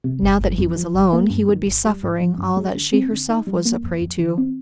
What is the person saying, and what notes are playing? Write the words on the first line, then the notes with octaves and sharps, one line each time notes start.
Now that he was alone, he would be suffering all that she herself was a prey to.
C3
G1
G1
F2
F3
G#1
A#3
G2
D#3
G#1
G3
G#2
F3
G2
G#3
D3
C4
D3
D#4
G3
A#3
F2
F2
D#3
C4